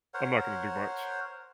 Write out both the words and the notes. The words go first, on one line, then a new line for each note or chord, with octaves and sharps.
I'm not gonna do much.
A#4 C5 C#5 F#5